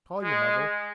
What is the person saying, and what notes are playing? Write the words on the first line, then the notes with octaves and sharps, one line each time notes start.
Call your mother.
G#3